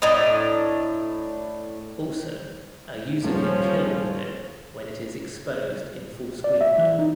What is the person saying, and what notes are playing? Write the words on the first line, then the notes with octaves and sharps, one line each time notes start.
Also a user can kill a window when it is exposed in fullscreen mode.
A2 D4 D#5 A#5
D#1 F3 C#4
D5
E5
E3
D#4